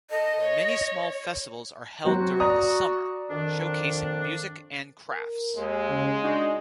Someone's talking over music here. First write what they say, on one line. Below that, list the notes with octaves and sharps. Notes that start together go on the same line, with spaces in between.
Many small festivals are held during the summer, showcasing music and crafts.
A4 D#5
C#5
F#3 C4 F#4
D5 A#5 D#6
F2 D#3 D4
A#4
D#2 G#3
C#3
D4 D#4 F#4